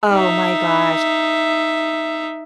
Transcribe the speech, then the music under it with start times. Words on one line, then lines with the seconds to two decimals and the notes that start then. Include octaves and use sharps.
Oh my gosh.
0.12 D#4 E5